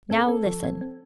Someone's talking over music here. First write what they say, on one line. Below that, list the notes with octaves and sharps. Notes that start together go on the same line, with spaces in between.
Now, listen.
C4 A4
C4
F3
C4
C4